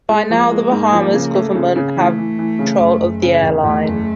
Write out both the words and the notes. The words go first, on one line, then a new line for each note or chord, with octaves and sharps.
By now the Bahamas Government had control of the Airline.
G#3
F3 A#3
G#3
G#2
F3
C#3
A3
C#3
C#3
E3 A3
E3
E3
C#3
F#1
F#1
C#3
E2
E2 A3
F#1